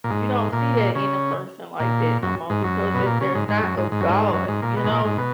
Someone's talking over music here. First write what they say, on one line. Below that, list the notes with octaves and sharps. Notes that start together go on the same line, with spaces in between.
you don't see that in a person like that no more because if they're not of God, you know?
A#2
G#2
A#2
C#3
A#2
F#2
G#2
F#2
B2
A#2
C#3
G#2
G#2
F#2
G#2
G#2
F#2
G#2
F#2
G#2
A#2
B2
G#2
A#2
G#2
B2